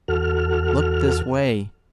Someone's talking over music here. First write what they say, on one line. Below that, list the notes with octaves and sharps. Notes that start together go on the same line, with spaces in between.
Look this way!
E2 F#4 A4 F6